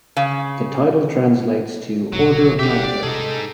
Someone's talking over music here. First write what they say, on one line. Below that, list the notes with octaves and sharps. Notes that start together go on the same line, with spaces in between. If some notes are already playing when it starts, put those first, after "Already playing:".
The title translates to "Order of Knighthood".
C#3
E1 E2 F#3
G4 E5 F#5
D4 D5
C3 D#4 G#4 A4